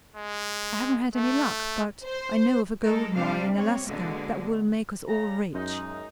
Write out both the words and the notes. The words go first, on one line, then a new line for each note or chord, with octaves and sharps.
I haven't had any luck, but I know of a gold mine in Alaska that will make us all rich.
G#3
A3
C5
G#3 D#4 A4 A#4
C3 G3 D4 C5 F5
C3 C4 C#5
B2 D3 G#3 A#3
C#3 A#5
F#2 G#3 D#4